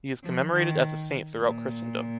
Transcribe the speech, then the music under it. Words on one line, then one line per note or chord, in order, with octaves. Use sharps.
He is commemorated as a saint throughout Christendom.
F3
D#3
A#2